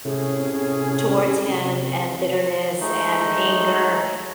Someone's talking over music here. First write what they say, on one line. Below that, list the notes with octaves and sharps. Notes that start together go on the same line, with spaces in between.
towards him and bitterness and anger,
A2 C3 C#4 G#4
G#3 A3 D#4